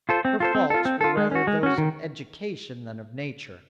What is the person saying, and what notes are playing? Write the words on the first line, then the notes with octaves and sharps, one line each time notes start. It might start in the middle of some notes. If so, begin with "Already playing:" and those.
Her faults were rather those of education than of nature.
F4 A4 C5
C4
F4 A4 C5
C4
F4 A4
C4
F4 A4
G#3
C#4 F#4
G#3
C#4 F#4
D#3